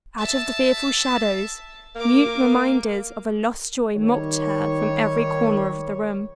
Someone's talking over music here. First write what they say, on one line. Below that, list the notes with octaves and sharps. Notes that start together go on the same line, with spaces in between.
Out of the fearful shadows, mute reminders of a lost joy mocked her from every corner of the room.
E5 A5
A#3 A#4 D6
D#3 G3 C#5